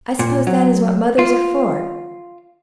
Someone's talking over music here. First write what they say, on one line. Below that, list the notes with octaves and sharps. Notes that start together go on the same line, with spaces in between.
"I suppose that is what mothers are for!"
A#2
F#3
F4